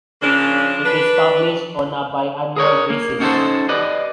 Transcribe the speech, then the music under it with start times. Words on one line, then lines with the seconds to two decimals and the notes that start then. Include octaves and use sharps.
It is published on a biannual basis.
0.22 C#3 F3 A#3 C#4 D4
0.84 D4 B4
2.56 G#4 A#4 C#5
2.90 A#3
3.20 C#4 D#4 F#4 G#4 A4 C5
3.69 G4 B4 D5 D#5